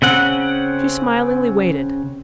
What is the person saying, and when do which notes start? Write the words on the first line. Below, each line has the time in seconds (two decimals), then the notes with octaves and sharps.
She smilingly waited.
0.02 C#3 C4 F#5